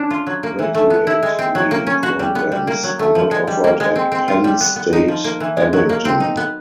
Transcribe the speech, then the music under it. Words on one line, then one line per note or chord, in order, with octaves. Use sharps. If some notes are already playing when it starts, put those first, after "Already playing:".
Graduate degree programs are not offered at Penn State Abington.
Already playing: C#4 D4
F4
F#3
A#3
E3
A3
B3
E4
G#3
C4
F#3
A#3
C#4
F#4
G3
B3
G3
A#3
F#3
A3
F3
G#3
G3
A#3
G#3
C4
C4
F4
G3
B3
B3
D#4
F3
A#3
E3
G#3
F#3
A#3
C4
D#4
B3